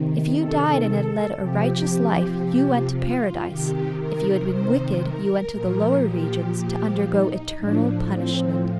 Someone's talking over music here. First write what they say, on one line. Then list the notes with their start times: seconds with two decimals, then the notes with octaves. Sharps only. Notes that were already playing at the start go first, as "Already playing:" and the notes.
If you died and had led a righteous life you went to Paradise; if you had been wicked you went to the lower regions to undergo eternal punishment.
Already playing: C3 D#3
0.38 A4
1.40 C3 F3 G4
2.95 F4
3.46 C3 D#3 G4
3.97 A#4
4.49 C5
5.01 A#4
5.53 A#2 F3
6.03 G4
6.55 G4
7.06 D#4
7.58 A2 F3 D4
8.09 C4